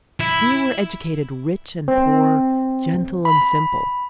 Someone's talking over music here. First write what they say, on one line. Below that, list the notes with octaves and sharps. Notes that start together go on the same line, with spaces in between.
Here were educated rich and poor, gentle and simple.
E4
C4
B5